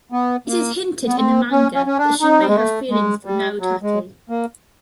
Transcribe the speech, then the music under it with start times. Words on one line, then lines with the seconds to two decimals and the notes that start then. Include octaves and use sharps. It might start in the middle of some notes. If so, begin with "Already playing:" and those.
It is hinted in the manga that she may have feelings for Narutaki.
0.12 B3
0.47 A#3
1.07 B3
1.17 C4
1.52 C#4
1.75 C#4
1.86 C#4
1.98 D4
2.21 D#4
2.39 G3
2.47 G#3
2.55 A3
2.90 G#3
3.25 G3
3.60 F#3
3.83 G#3
4.29 A#3